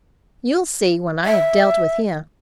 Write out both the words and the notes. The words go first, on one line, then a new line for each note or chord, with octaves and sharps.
'You'll see when I have dealt with him.
E5